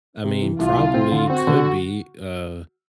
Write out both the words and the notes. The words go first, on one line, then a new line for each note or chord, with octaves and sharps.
I mean, probably, could be, uh,
C3
E3
C2 F4
C2
C4
D3
C4 F#4
D3